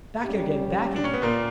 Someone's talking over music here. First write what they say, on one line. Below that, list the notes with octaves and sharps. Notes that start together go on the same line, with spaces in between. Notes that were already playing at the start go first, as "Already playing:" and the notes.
'Back again! back again!
G3 C#4 G4
D4
C#4
B3
A#2 A#3